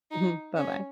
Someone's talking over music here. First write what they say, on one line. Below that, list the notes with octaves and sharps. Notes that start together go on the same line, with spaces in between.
Mhm. Bye-bye.
D#4
C#4